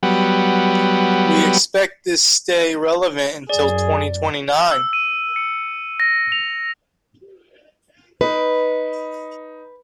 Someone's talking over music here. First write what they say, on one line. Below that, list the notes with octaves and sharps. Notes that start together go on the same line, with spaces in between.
We expect this stay relevant until twenty-twenty-nine.
F#3 G3 B3
F#2 G#4 D5
E6
D#7
C#7
A#6
F7
D#4 B4